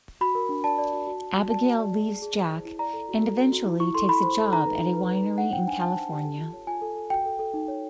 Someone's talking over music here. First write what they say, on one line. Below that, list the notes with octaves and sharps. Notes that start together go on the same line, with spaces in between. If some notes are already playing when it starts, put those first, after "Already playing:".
Abigail leaves Jack and eventually takes a job at a winery in California.
F#4 B5
A#4
D4
D5 A5
D5
F#4
F#4
F#4
F#4
D5 A5
F#4
D5
G#4
G#4
G#4
C5
E4
E4
D5 A#5
A4
F#4
A4
F#4
F#4
E4
E4 C#6
A4 C6
E4 B5
C5
A4
D#4 A#5
B4
D#4
B4
B4
D#4
D4 F#5
C5 G5
D4 G#5
D4 A5
C5
G4
A4
F4
C#5
F4 G#5
A4
A4
F#4 G5
A4
A4
D#4
C#5